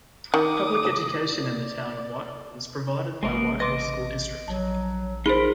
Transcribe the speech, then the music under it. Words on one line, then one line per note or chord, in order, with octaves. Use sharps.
Public education in the town of Whitehall is provided by Whitehall School District.
D#3 D6 D#6
D5
A1 G#3 A#3 B3
B4 D#5 C6 D6
A#1 F#3 A5
D#4 F4 G#4 A#4 C5 B5